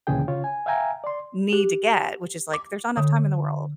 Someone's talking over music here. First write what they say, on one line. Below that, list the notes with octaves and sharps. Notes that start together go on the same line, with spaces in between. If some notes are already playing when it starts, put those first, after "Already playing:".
need to get, which is, like, there's not enough time in the world.
D2 A#2 C#3 E3 G#4 G5
C#3 F4 C#5
G#5
E5 F5 G5 G#5 A#5
D5 C6
G4
D6
D3